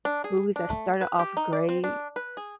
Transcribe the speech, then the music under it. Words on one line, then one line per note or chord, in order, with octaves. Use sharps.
movies that started off great.
D4
G#4
D4
A3
B4
G4
D#4
D5
C4
D4
B4
G#4